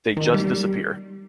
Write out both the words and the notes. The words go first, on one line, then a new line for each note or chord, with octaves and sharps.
They just disappear.
D#3
G3